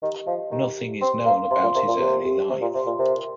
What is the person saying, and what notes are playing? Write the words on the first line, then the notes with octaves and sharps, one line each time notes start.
Nothing is known about his early life.
D#3 G4
F3 D#5
D#3 G4
G4
C4 C6
A#3 F5
C3 C6
A#2
C3 A#4
A#2
C3 G4
G4
C3 G4
A#2
C3 C6
A#2
C3 A#4